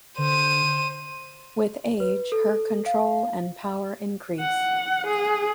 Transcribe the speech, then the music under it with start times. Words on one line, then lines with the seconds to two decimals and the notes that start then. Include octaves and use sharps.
With age her control and power increased.
0.18 D3 C5 D#7
2.00 B4
2.32 A4
2.86 F5
4.39 F#5
5.07 G#4